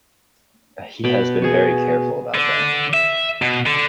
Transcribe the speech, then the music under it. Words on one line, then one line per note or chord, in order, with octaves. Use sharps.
He has been very careful about that.
B2 G5 B5
F#4 G#4
D3
E5
B2
D3